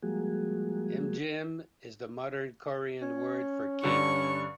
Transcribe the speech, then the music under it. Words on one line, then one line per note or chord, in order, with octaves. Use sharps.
"Imgeum" is the modern Korean word for "King".
F3 G3 G#3 A#3 F#4 G#4
C#4
G2 D3 C#6